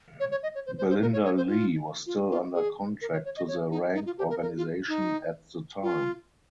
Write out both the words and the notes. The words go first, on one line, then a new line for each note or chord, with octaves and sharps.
Belinda Lee was still under contract to the Rank Organisation at the time.
C#5
C#5
D#5
C#5
C5
C5
C5
A#4
C#5
C#5
C5
F4
F4
F4
G#4
A#4
C#5
C#5
D#5
C#5
D#4
D#4
F4
G4
A#4
A#4
F4
D#4
F4